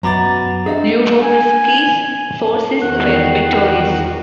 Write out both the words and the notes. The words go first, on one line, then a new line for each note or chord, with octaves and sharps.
Lubomirski's forces were victorious.
F#2 B2 A#5 D6 A6
C3 D4 G#4 D#5 F5
G#5
E2 D#3 B3 F#4 A#4 F#6
G5 C7